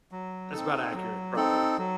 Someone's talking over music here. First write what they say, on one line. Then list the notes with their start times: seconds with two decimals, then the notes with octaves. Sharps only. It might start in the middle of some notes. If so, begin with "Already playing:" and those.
that's about accurate, probably.
0.12 F#3
0.52 C4 D#4 A4
0.94 F#3
1.36 C4 D#4 A4
1.78 F#3